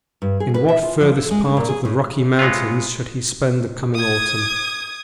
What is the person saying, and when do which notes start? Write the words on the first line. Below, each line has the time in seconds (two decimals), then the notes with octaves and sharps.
In what furthest part of the Rocky Mountains should he spend the coming autumn?
0.22 G2
0.40 G#4
0.54 B4
0.68 E5
0.83 F4
1.01 F3
1.16 A4
1.31 G#3
1.45 D3
1.57 A#2
1.69 G#4
1.85 A2
2.39 G#3 B3 C#4 F4
3.95 D#6 G#6